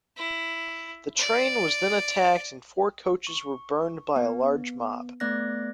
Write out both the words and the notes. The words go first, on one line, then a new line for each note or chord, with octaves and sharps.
The train was then attacked and four coaches were burned by a large mob.
E4
D5
C#6
B3
A3 B3 D5 F#6 A#6